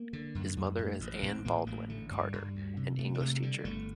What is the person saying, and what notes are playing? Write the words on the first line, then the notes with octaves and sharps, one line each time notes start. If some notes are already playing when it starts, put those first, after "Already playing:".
His mother is Anne Baldwin Carter, an English teacher.
Already playing: A#3
D3
F#2
F#2
A2
A1
A2 C4
A2 A#3
A1 A#3
D3 A3
G2 G3
G2
D2
C3
C3 A3
G3
C3 A3
D3 G3
G1 A3